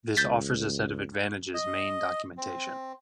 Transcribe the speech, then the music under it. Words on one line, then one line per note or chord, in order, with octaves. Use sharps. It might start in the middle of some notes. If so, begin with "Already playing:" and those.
This offers a set of advantages main documentation.
C#2 G6 A6 B6
D#5
C4